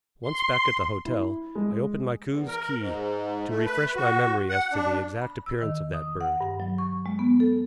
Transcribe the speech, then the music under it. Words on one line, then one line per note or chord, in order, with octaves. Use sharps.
Once back at the hotel, I opened my Coues's Key to refresh my memory as to the exact appearance of that bird.
C6
E4
G#3
E2
A#4
G#2
A3
B4
F#4
F#5
D4
B5
E6
D#3
D#6
F#5
G2
F#3
C#6
G#3
B3
A4